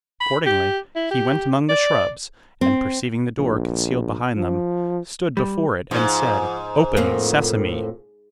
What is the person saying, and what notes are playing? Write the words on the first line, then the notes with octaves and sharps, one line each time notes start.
Accordingly, he went among the shrubs, and perceiving the door concealed behind them, stood before it and said, "Open, Sesame!"
B5
G4
E4
G4
D5
C4
A#1
F3
G3
G#2 F3
F2 A2 A#3